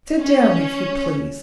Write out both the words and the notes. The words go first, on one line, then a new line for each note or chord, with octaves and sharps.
Sit down, if you please.
C#4